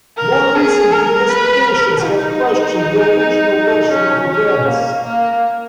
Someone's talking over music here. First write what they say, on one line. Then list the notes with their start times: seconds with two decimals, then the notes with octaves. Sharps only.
More recent investigations have questioned the original version of events.
0.17 A#4
0.55 G#4
0.92 A#4
1.29 B4
1.67 A#4
2.04 D#4
3.91 C#4
4.29 C#4
4.66 A#3
5.04 A#3